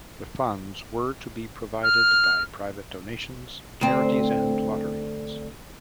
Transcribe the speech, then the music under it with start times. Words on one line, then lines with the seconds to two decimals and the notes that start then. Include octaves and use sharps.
The funds were to be provided by private donations, charities and lotteries.
1.83 F6
3.81 D2 C4